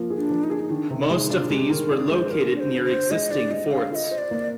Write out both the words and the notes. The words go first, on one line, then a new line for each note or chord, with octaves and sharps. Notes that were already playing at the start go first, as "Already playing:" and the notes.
Most of these were located near existing forts.
Already playing: F3 A#3
G#4
D4
F3
D#4
D4 G#4
D#4
D#3 D4
C3 D#4
G#3 D#4 F4
D4 F4
G#3 G4
D#3 A#4
D4 G#4
G#3 C5
D3 A#4
D3
D5
C5
D3
C5
D3
G#3 D#5
D3 D5
G#3 D#5
D3 F5
F4 D#5 F5
C5
D5
A#3